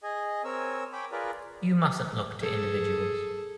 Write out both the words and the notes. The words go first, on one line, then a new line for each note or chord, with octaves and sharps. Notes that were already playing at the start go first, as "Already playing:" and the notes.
You mustn't look to individuals.
G#4 D#5 G#5
C4 A#4 C#5 G#5 E6
C#5 G5 G#5 B5 D6
F4 G#4 A#4 B4 D5
G#4 A4